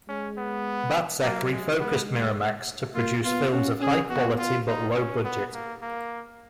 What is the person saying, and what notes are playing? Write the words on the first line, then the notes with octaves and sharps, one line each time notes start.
Battsek refocused Miramax to produce films of high quality but low budget.
G#3 C#4
B3
F#3 A#3
G#3
G#3 B3
A#3 F4
B3 F4
C#4 F#4
C#4 G#4
B3 F#4
F4
D#4
C#4
B3
A#3
A#3